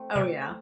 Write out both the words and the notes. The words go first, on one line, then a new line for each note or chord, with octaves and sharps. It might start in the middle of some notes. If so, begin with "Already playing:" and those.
Oh, yeah.
Already playing: A3 C4
C3